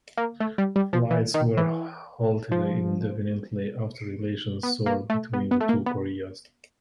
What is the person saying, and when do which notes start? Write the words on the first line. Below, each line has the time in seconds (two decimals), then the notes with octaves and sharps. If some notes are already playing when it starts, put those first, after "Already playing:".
Flights were halted indefinitely after relations soured between the two Koreas.
0.17 A#3
0.40 A3
0.58 G3
0.76 G3
0.93 F3
1.11 E3
1.34 D#3
1.57 E3
2.52 F3
4.63 B3
4.86 A#3
5.10 A3
5.33 B3
5.51 B3
5.61 A3
5.69 A#3
5.86 B3